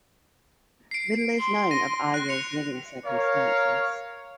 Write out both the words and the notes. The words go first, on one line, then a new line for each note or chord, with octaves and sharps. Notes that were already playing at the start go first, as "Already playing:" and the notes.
Little is known of Ayrer's living circumstances.
C7 D7
C6
A#6 D#7
F#6 A#6
C#7 F7
A#4 C#5 F5